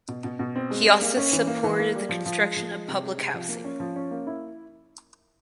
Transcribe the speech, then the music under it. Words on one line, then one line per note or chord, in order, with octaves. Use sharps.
He also supported the construction of public housing.
B2
B2
B2
C4
G#3
G3
A#3
C#4
E3
A#3
E3
A#3
G3
F3
F3
G#3
F3
G#3
C3
G#3
C3
F3
A#3
C#4
F3
C#4
A#3
E4